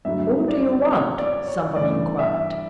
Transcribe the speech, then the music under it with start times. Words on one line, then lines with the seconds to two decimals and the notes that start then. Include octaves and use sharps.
"Whom do you want?" someone inquired.
0.05 G2 D3 F#3 A3 E5
0.48 D5
0.90 C#5
1.18 D5
1.47 C#5
1.76 G2 E3 A3 D5
2.19 E5